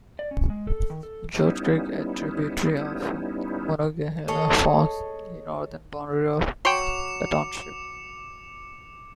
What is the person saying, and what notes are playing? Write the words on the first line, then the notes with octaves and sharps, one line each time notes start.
Georges Creek, a tributary of the Monongahela, forms the northern boundary of the township.
D5
C#4
G#3
A4
D#3
A4
G3 B3 C#4 D#4 E4
G#4 A4 C#5 D#5
F#3 G5 C6 D6 C#7 F7